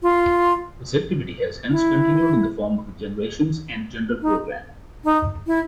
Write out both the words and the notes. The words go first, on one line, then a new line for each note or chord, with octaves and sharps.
This activity has hence continued in the form of the Generations and Gender Programme.
F4
E4
D#4
D#4
E4